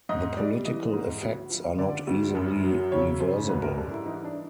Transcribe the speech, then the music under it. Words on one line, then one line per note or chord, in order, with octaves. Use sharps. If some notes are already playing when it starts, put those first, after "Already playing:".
The political effects are not easily reversible.
G#2 D#5
G3 D5
E3 D#5
G#2
D2
F3
D3 D5
D2
F#2
F#3
C#3 C#5
F#2 C5
G#2 B4
A#4
G3 A4
E4
E3 D#4
D4